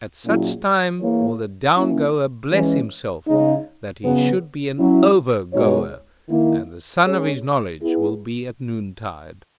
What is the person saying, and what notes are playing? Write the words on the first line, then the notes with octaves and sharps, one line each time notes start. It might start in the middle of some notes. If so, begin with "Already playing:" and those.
At such time will the down-goer bless himself, that he should be an over-goer; and the sun of his knowledge will be at noontide.
A#2 F#3 C#4 E4 G#4
E3 A#3 E4 G#4 C#5
F#3 A#3 C#4 E4
E3 G#3 C#4
C#3 G#3 D#4
C#3 F#3 B3
F#3 C#4 E4
B2 G#3 D#4 F#4 C#5
D#3 A#3 E4
G#3 C#4 G#4 C#5
B3 E4 G#4